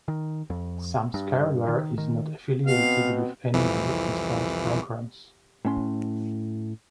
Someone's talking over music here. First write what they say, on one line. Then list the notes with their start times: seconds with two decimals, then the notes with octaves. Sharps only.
Some scareware is not affiliated with any other installed programs.
0.08 D#3
0.50 F2
1.14 G2
1.68 D#3
1.98 D#3
2.66 B2 B3 C4 F5
3.53 C2 F2 E3
5.65 A2 C#4 C6